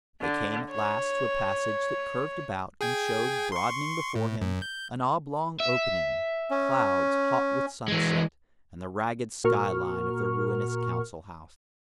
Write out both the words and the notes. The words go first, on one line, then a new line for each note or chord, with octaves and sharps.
They came at last to a passage that curved about, and showed broadening before him an oblong opening, clouds hot with sunset, and the ragged skyline of the ruinous Council House.
D3
C#5
G#4 G5 G#6
C6 C#6
A2
F#2
G6
E5
C#4
E3 G#3
A#2 F#4 A#4 C#6 F6